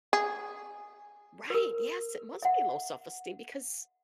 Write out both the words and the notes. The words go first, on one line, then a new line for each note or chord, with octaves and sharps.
Right, yes, it must be low self-esteem, because
G#4
A#4 B4
E5 F#5